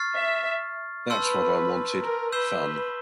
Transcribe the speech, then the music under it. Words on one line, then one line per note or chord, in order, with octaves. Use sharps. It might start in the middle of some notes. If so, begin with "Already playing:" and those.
That's what I wanted--fun.
Already playing: C#6 F6 A6 C7
E5
B4 A5 C6 E6 G6
A#4
B4 E6 G6 C7 E7 G7
B4